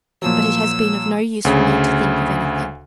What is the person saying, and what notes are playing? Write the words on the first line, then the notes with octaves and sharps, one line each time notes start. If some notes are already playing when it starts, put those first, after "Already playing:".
But it has been of no use for me to think of anything.
A#2 F3 F#3 E6
D2 C#3